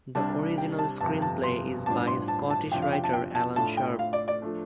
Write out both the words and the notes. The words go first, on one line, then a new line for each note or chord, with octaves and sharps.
The original screenplay is by Scottish writer Alan Sharp.
C2 C3 G3 D4 A5
G5
A5
G1 F2 C3 A5
A5
C6
A1 G2 F3 D4 A5
C6
A5
A5
F2 C3 F3 D4 F4 G5
F5
G5
A5
G5
A5
A2 A3 D4 F4 A5
G5
F5
D5
D5
F3 A3 D4